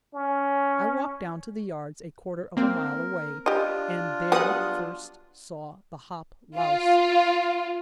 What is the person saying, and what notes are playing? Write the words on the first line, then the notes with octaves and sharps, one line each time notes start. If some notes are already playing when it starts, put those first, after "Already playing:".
I walked down to the yards, a quarter of a mile away, and there first saw the hop louse.
C#4
A#3 C4 A#4
D4 F4 G4 D#5
F#3 G3 B3 F#5 D#6
F4